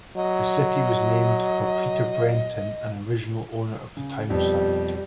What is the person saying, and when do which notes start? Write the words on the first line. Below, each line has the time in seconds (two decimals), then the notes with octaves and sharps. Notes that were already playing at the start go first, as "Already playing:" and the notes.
The city was named for Peter Brenton, an original owner of the town site.
0.16 F#3 D#5
3.97 C#3
4.30 F2 B2 G3